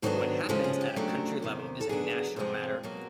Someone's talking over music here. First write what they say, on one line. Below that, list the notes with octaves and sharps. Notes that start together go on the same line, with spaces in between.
What happens at a country level is a National Matter.
G#2 D#3 F#3 B3 D4 A4
C#3 F3 G#3 C#4 A4
G#4
G4
C#3 F#3 A3 D4
E2 C3 D#3
A4
D3 F#3 B3 D4 G#4
F2 C3 F3 G#3 C4
B2 F#3 A#3